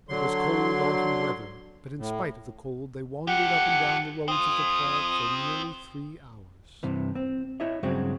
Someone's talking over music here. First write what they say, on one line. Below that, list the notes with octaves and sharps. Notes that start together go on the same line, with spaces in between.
It was cold autumn weather but in spite of the cold they wandered up and down the roads of the Park for nearly three hours.
D3 F#3 C6
A2
F3 G4 F#5
C4 F4 D#6
G2 C3 E3
C4
E4 C#5 D#5 E5
G2 C#3 F#3 G#3 C4 F#4